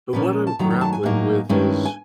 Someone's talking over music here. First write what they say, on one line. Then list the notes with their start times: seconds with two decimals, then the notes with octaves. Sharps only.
but what I'm grappling with is
0.13 A#2 F3 A#3 C#4 B4
0.47 A5
0.59 F#2 D#3 F#3 A3 A#5
0.70 A#5
0.81 A5
0.93 G#5
1.03 A2 F#3 A#3 D#4
1.49 G2 D#3 G#3 C#4 E4
1.85 G#5